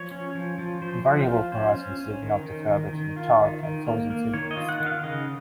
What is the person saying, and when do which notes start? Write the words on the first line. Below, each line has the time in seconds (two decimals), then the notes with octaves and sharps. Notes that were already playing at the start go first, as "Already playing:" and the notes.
Variable fluorescence did not differ between thawed and frozen seedlings.
Already playing: F3 C#5
0.11 C#4
0.35 F3
0.58 F3
0.82 F3 C5
1.06 F3
1.29 F4
1.52 C#4 C5
1.76 C#4
1.99 C#4
2.23 D#3
2.46 D#3
2.69 D#3
2.93 D#3
3.16 F4
3.40 D#3
3.63 D#3
3.87 A#3
4.10 A#3
4.34 D#3 C#5
4.51 D#5
4.57 F4
4.69 F#5
4.80 D#3
4.86 F5
5.04 C#3 D#5